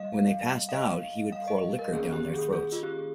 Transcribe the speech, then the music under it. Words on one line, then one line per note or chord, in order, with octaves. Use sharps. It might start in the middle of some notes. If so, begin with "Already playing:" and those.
When they passed out, he would pour liquor down their throats.
Already playing: G3 D#5 F5
F5
D#5
F5
D#5
A#4
D#3 A#3 C#4 G#4
G4
G#4
G#4
F4
G4